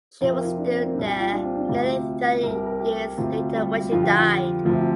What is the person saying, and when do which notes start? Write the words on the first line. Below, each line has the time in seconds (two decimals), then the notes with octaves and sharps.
She was still there nearly thirty years later when she died.
0.21 F2 C3 F4
0.33 A#4
0.45 F4
0.58 D4
0.71 C4
0.83 A#3
0.94 C2 A#2 D4
1.08 G4
1.20 F4
1.32 D4
1.45 C4
1.57 D4
1.68 D2 C3 F4
2.43 C2 C3 A#4
2.55 G4
2.66 A#4
2.80 G4
3.18 D2 C3 F4
3.55 G3
3.92 F2 D3 F4
4.03 G4
4.16 F4
4.65 D2 C3 F3